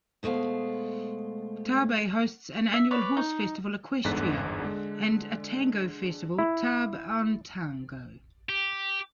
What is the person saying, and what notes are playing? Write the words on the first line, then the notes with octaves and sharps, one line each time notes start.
Tarbes hosts an annual horse festival, Equestria, and a Tango festival, Tarbes en Tango.
B2 G#3 A3 C5 F5
E5
B4 C#5 D5
D#4
G1 E2 G#2 D3 F#6 B6
D3 G#3
E4
G4